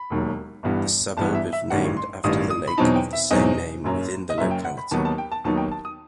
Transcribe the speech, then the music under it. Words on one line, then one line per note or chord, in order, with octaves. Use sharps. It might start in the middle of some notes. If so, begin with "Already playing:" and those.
The suburb is named after the lake of the same name within the locality.
Already playing: B5
E1 D#2 D#3 F#3
G1 G2 E3 B3
G1 G2 E3 B3 A5
E5
E5
A1 G2 D#3 F#5
C6
A1 G2 D#3 D#6
D#6
B5
E2 B2 F#3 C4 D#4 A5
G5
E5
E2 B2 F#3 C4 D#4 D#5
F#1 F#2 F#3
D#5
F#1 F#2 F#3 E5
G5
F#5
B5
D#2 D#3 F#3 B3 D#4 A5
A5
G5
A5
D#2 D#3 F#3 B3 D#4 A5
G5
A5
D#6